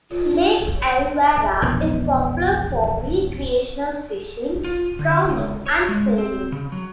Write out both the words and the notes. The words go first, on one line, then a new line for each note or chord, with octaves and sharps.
Lake Illawarra is popular for recreational fishing, prawning and sailing.
F4
E1 A#1 F3 B3
F4
D3
C#2
C#5
G#3
C4
C#3
F#3